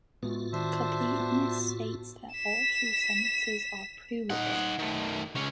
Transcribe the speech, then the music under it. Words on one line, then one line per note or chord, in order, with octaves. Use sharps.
Completeness states that all true sentences are provable.
A2 G#3 B3 F4 F#4
D#3 D4 C5 E5
B3
B6 E7
D#4 F#5
D#3 A3
C#2 C#4